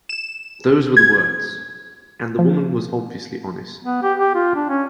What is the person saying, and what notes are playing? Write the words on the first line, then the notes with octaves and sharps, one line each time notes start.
Those were the words, and the woman was obviously honest.
E7
G#6
F3
B3
G4
G4
F4
D4
C#4